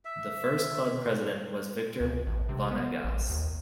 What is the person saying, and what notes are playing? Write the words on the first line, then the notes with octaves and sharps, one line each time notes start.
The first club President was Victor Vanegas.
E5
C#2
A1
C3
B3
A1
D#2